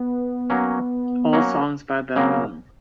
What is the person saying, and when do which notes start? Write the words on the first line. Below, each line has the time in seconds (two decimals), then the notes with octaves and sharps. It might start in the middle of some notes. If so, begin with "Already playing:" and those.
All songs by Baboon.
Already playing: B3
0.50 F#3 A#3 C#4
1.33 F#3 A#3 C#4
2.16 C#3 F#3 A#3 C4